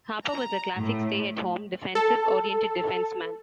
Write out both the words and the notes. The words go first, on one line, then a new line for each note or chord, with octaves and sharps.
Harper was a classic stay at home defensive oriented defenceman.
A#5
A2
A4